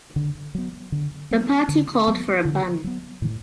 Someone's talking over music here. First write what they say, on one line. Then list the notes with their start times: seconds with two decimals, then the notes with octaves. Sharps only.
The party called for a ban.
0.16 D3
0.55 F#3 B3
0.92 D3
1.31 F#3 B3
1.68 D3
2.08 F#3 B3
2.45 D3
2.84 F#3 B3
3.22 A2